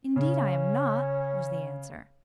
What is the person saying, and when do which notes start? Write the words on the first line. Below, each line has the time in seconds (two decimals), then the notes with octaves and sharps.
"Indeed I am not," was the answer.
0.16 C#3 C#4